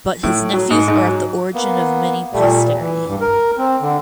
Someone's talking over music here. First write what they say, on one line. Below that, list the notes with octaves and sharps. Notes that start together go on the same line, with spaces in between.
But his nephews are at the origin of many posterity.
A2
F#3
G#2
G#2
F#3
A#3 B3
A#2 G3 A3
E3
G2
A#4
C4
D3